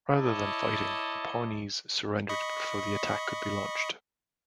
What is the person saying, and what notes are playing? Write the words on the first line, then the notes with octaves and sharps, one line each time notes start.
Rather than fighting, the Pawnees surrendered before the attack could be launched.
E4 C#5 D#5 A5 D6
D#5 B5 C#6